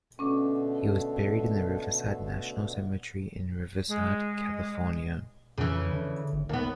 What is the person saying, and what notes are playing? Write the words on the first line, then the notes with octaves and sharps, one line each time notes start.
He was buried in the Riverside National Cemetery in Riverside, California.
B2 D3 A3 C#4 D6
G#3
F2 C#3 E3
D3
G#1
D#2 A#3 B3